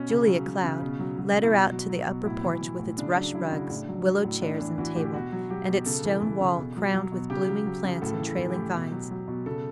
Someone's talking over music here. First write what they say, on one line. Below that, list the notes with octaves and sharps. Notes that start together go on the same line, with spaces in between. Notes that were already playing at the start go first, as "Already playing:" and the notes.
Julia Cloud led her out to the upper porch with its rush rugs, willow chairs, and table, and its stone wall crowned with blooming plants and trailing vines.
Already playing: B2 C#4
C#3
F#3
F#3
C#3
B2
F#3
F#3
B2
E4
B2 F#4
F#3
F#3
B2
A2 E4
E3
E3
A2
C#3 D4
F#3 D4
F#3 E4
C#3 F#4
A2 D4
F#3
F#3
A2
A2 D4
E3 D4
E3 F#4
A2 G4
B2 F#4
F#3
F#3 G4
B2
C#3 A4
E3
E3
C#3
B2
F#3
F#3
B2
C#3 G4
F#3
F#3
C#3
A2 A4
E3
A4
E3
G4
A2
B2
F#3
F#3
B2
C#3 A4